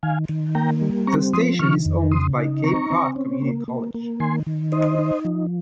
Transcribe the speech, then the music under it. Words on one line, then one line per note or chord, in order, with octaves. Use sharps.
The station is owned by Cape Cod Community College.
D#3 F5 G#5
D#3
A#3 G5 A#5
G3
C4 A#5 C#6
F3 C6 D#6
D#3 C#6 F6
F2
C#3 C6 D#6
D#4
C4 A#5 C#6
C4
C#4
A#3
A#3
A#3
D#3 G#5 C6
D#3
D#4 C5 D#5
D#4
F3